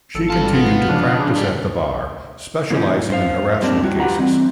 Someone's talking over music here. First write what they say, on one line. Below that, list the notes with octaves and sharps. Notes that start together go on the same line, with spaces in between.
She continued to practice at the Bar, specialising in harassment cases.
G#1 A4 C#7
G2 F4 A5
B3
C#3 F3 D4 F#4
D4 G#4
D#3 G3
A#2 E3 C#4 D#4
C5 F5
G3 A#3 C4 D4 D#4
G3 E4 F#4
F4 G4 B4 F#5 A#5
E3 G3 C4